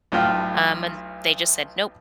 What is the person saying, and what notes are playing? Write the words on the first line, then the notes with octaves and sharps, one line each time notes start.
Um, and they just said, nope.
B1 A2 F4 G5